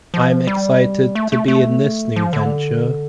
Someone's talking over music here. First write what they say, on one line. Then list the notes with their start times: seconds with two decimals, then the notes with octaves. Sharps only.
I’m excited to be in this new venture.
0.14 F3
0.47 G3
1.15 A3
1.32 A3
1.48 A3
2.16 F3
2.33 D3